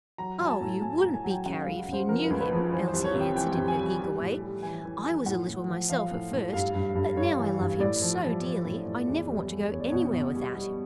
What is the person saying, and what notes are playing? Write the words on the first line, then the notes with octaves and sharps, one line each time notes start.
"Oh! you wouldn't be, Carry, if you knew him," Elsie answered, in her eager way; "I was a little myself, at first, but now I love him so dearly, I never want to go anywhere without him."
F#3 A#5
F#3
G#5
A5
A2
A2 G#5
A#5
A2
G#5
F#3
G5
C#3 F#5
F5
C#2
C#3 C5
F3 A#4
B4
C#2
B4
F3
E3 C5
C5
C2
C#5
C3
G5
E3 G5
G5
C3
G#5
G3
G3
A2
G3
E3 G#5
E3
E3
A2 F#5
A2
F3
F3 F5
A2
A2
G2 F5
G2
G2
G2 C#5
E3
G2
A2 D5
F3
F3
F3
A2
A2
E2
G3
G3
E2 C#5
D5
B2 C#5
B2
G3
G3